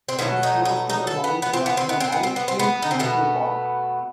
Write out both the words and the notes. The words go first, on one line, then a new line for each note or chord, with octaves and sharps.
It is close to the boundary of the Mount Cook National Park.
C4
B2 F#3 A3 B3
D#4
D#4
D#4
A4
B3
B3
C4
B3
C4
B3
C4
B3
C4
B3
C4
B3
D#4
C4
B2 A3 B3